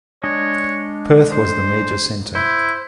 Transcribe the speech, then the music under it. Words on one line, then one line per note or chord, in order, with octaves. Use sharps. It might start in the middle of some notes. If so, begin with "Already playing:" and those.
Perth was the major centre.
G#3 D4 C#5 D#5
C5
E4 C5